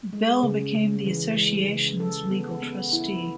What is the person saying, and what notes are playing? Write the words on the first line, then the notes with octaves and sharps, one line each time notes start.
Bell, became the Association's legal trustee.
G#3
C#3
C#3
E3
G#3
C#3
A4
B3
B3
E4